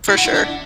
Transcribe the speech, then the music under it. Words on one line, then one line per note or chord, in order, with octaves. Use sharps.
For sure.
E4
F#4
E4
D4